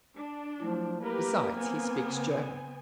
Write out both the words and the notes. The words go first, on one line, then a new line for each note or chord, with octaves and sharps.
Besides, he speaks German.
D4
F3 F#3 A3 E4
A#3 G4 A#4 B4
B3 C4 G#5
C#3